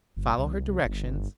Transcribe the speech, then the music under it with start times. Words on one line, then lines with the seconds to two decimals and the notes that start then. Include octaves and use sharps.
Follow her directions.
0.17 G1
0.38 C2
0.84 G1